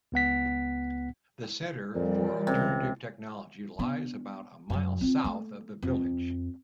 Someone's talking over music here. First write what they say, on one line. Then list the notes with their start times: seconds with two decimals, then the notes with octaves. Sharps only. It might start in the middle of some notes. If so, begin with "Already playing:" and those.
The Centre for Alternative Technology lies about a mile south of the village.
0.12 C#2 B3 F#5 B6
1.95 F2 A#2 E3 G3
2.47 C#2 C3
3.79 B3 D4
4.70 F#2 F#3
5.01 C4 F4
5.25 A3 A#3
5.83 F2